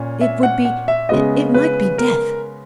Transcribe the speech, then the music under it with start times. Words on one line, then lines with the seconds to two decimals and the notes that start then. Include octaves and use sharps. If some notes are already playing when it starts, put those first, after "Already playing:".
"It would be--it might be--death!"
Already playing: A#2 C#4
0.21 E5
0.43 F#5
0.65 F#5
0.88 E5
1.09 C#3 G#3 B3 D#5
1.54 B4
1.98 A#4